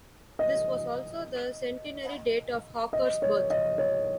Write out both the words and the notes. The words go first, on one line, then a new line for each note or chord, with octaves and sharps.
This was also the centenary date of Hawker's birth.
D#5
D#5
C#5
D#5
C#5